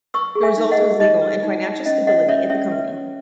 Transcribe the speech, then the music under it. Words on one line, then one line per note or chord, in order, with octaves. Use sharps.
The result was legal and financial stability at the company.
B4 C#6 E6
G#4
E5 G#5
D#4
D#5 F#5
G#4
D#4 D#5
B4
D#4
D#4
C#4 D#5
C#4 D#5 F#5
C#4 C#5 E5
C#4 C#5 E5
B4
C#4